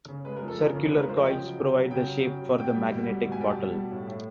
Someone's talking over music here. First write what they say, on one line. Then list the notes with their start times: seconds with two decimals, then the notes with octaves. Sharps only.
Circular coils provide the shape for the magnetic bottle.
0.08 C#3
0.25 G#3 B4
0.36 A#4
0.42 F3
0.48 A4
0.59 C#3 A#4
0.75 C#3
0.91 G#3 B4
1.00 A#4
1.08 F3 C5
1.17 D#5
1.25 C#3 G5
1.42 F#3
1.59 C#3
1.74 F#3
1.91 C#3 G5
2.08 F#3
2.25 C#3
2.42 F#3
2.58 B2 G5
2.75 G3
2.91 B2
3.07 G3
3.25 B2
3.32 G#5
3.40 G3 G5
3.49 A5
3.58 B2
3.74 G3
3.91 A2
4.07 A2